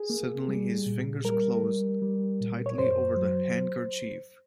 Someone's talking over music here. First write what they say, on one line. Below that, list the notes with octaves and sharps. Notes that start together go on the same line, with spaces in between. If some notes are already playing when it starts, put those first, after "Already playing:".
Suddenly his fingers closed tightly over the handkerchief.
Already playing: G#4
A#3
G3
A#2
G3 A#4
G3
G3
A#2
C#5
F#2 C5
F#3